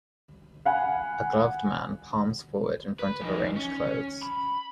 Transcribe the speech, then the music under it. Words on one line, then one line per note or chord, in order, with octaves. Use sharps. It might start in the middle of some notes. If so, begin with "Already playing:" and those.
A gloved man palms forward in front of arranged clothes.
F5 F#5 G#5 B5
B4
F3 D#4
C#4
B5